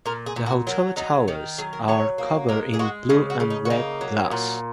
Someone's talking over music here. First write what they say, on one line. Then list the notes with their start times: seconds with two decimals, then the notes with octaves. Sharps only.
The hotel towers are covered in blue and red glass.
0.06 A#2 A#4
0.26 G#4
0.36 A#2
0.46 F#4
0.67 F#3 A#4
0.96 F#3 D#4
1.28 D#3 C#4
1.58 F#3 G#4
1.73 A#4
1.88 F#3 C#5
2.18 A#3
2.49 G#3 A#4
2.74 G#4
2.79 G#3 F#4
3.09 C#3 D#4
3.30 F#4
3.40 C#3
3.50 D#4
3.65 F#4
3.70 A#3 D#4
4.01 F#3
4.31 A#2